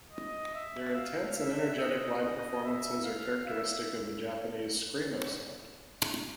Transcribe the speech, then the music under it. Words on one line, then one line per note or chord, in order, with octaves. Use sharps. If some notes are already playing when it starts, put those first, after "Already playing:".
Their intense and energetic live performances are characteristic of the Japanese screamo sound.
D#5
E5
F5
E5
D#5
D#5
E5
F5
E5